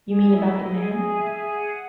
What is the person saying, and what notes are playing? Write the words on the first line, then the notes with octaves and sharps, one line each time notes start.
You mean about the man?
G#4
E4
D#5
G#4
G#4
E5
G#4
F#5